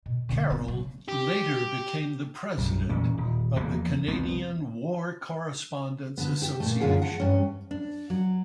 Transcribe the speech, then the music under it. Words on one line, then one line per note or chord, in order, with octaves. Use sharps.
Carroll later became the president of the Canadian War Correspondents Association.
B2
D3 C#4
C#2 B3
C#3 F#3
G4
B1 F#2 G3
E2 A#2 E3 C#4
D#1
E2 F3 A#3 B3
F1 C2 B3 C4
D3 B3
G4 A4
A#2 A3
F#2 D3 F4 G#4 F#5
F#5 A5
G2 C#4
D4
F#3